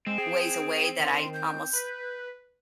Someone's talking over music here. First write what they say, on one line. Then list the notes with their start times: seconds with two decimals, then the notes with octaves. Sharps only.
ways away that I almost
0.06 G#3 C4
0.18 G#4 G5
0.99 D#3 C6
1.34 G6
1.73 B4